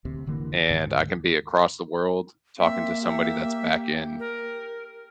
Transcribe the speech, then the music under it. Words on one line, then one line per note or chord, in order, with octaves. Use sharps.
and I can be across the world talking to somebody that's back in,
D2 C3
F1 D3 E3 A#3
D2 G#2 D#3
A#3 C4 E5
G4 E5
A#4